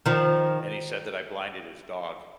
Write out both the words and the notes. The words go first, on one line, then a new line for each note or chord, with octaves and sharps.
and he said that I blinded his dog.
D#3 F3